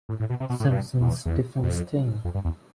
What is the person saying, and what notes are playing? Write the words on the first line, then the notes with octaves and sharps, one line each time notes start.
Simpson's defense team.
A2
A2
B2
C3
B2
A2
G2
E2
E2
F2
F2
G2
E2